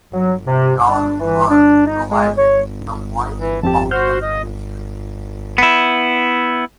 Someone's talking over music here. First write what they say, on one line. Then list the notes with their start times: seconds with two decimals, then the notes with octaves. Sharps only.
John Hurt provided 'The Voice of The Ministry'.
0.13 F#3
0.46 C3
0.88 D4
1.20 E3
1.50 D4
1.86 D#4
2.11 G#3
2.37 C#5
3.39 E3
3.63 F2 C4 G4 A5
3.91 F#4 C5 F6 G6
4.22 D#5
5.58 B3 E4